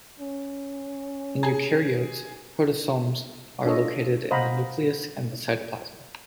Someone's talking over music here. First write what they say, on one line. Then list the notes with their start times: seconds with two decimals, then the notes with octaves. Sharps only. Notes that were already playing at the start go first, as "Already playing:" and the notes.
In eukaryotes, proteasomes are located in the nucleus and the cytoplasm.
0.20 C#4
1.43 G#4
3.66 D4 F4 A4 C#5 D#5
4.31 C5 D#5 F5 F#5 A#5 B5